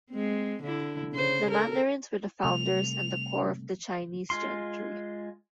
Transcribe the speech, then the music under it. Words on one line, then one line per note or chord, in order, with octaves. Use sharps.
The mandarins were the founders and core of the Chinese gentry.
G#3 C4
D3 D4 E4
C#3 C5
A4 A#4
C3 G3 A3 F7
G#3 F4 C6